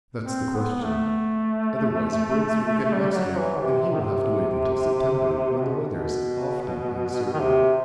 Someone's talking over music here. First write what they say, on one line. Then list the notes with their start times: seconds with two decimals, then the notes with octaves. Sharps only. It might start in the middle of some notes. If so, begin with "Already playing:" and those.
That's the question. Otherwise Briggs will get next week, and he will have to wait until September--when the weather is often uncertain.
0.25 C4
0.56 B3
0.84 A3
2.93 G3
3.12 G3
3.16 F#3
3.38 E3
3.61 C3
3.82 C3
3.93 D#3
4.03 C3
5.61 B2
5.89 B2
7.34 D#3
7.40 C3